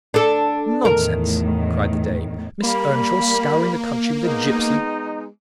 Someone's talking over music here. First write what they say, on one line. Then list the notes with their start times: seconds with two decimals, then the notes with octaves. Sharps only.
Nonsense!" cried the dame; "Miss Earnshaw scouring the country with a gipsy!
0.14 D4 A4
0.85 E2 A2 D#3 A#4
2.63 G3 A#3 B5
4.24 G#3 B3 D#4